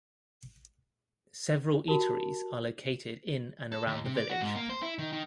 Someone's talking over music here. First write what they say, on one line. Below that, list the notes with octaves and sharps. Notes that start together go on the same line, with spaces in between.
Several eateries are located in and around the village.
F#4 G4 A#4 A5
A4
D#2
C3
D5
F#4
G#2
A#3
C5
E4
D#3
D#3